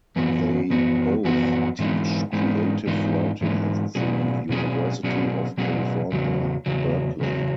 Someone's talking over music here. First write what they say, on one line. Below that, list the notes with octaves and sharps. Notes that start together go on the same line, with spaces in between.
They both teach creative writing at the University of California, Berkeley.
F#2 E3 B3 F#4
F#2 E3 B3 F#4
F#2 E3 B3 F#4
G#2 E3 G#3 D#4
G#2 E3 G#3 D#4
G#2 E3 G#3 D#4
G#2 E3 G#3 D#4
B2 F#3 C#4 G#4
B2 F#3 C#4 G#4
B2 F#3 C#4 G#4
B2 F#3 C#4 G#4
E2 C#3 F#3
E2 C#3 F#3
E2 C#3 F#3